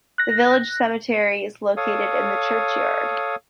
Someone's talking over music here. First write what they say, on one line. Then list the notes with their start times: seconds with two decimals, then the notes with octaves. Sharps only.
The village cemetery is located in the churchyard.
0.18 F#6 A#6
1.77 A4 C#5 F5 D#6